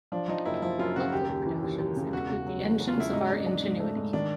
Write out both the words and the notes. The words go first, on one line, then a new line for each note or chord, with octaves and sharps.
Local productions include "The Engines of Our Ingenuity".
F3 D4
F3 D#4
F#1 E4
F3 E4
F#2 F4
C#3 F#4
D#2 G4
D#2
E3
D#2
D#2
C#3
E1 F#4
C#3
F#3
E2
E1
F4
C#3 E4
G#2 D#4
D4
D4
G#2
A3
G#2
D#3 D4